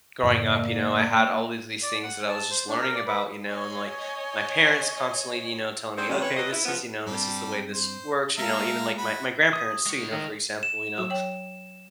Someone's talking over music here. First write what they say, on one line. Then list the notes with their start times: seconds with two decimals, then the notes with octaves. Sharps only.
growing up, you know, I had all of these things that I was just learning about, you know, and, like, my parents constantly, you know, telling me, "Okay. This is, you know, this is the way this works," you know? Even like my my grandparents too, you know? For example, you know,
0.23 F#2 A2 C#3 A#3 D5
1.83 D5
2.03 F#5
2.28 A5
2.51 C5
2.68 D4
2.80 A#4
2.95 D5
3.07 B4
3.47 C#5 D#5 G#5
5.98 C4 D4 G#4 C5
6.10 C3 F#3 G3 A3 C#4
6.22 C3 B4 C#5
6.37 B2 F#3 C4 B4 D#5
6.53 E4
6.65 F3 B3
7.06 G2 G3 C4 A4
7.73 C5
8.38 G#3 A#3 A4 E5 F5 A#5
8.98 F#4 B5
9.53 D#6
9.86 G#3 C#5
10.12 D#3
10.63 E7
10.98 F#3 F#4
11.10 C#5 G5